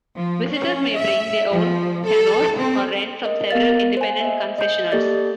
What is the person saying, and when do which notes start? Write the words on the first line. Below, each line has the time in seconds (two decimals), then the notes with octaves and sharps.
Visitors may bring their own canoes or rent from several independent concessioners.
0.15 F3
0.52 C#4
0.98 E5
1.52 F3
2.08 A4
2.57 C4
3.23 A#4 D#5
3.51 B3 A#4 F5 A6
3.97 C5 G#5
4.21 D#5 E5
4.58 D#5 G6
4.92 A#3 G4 A4 D5 A6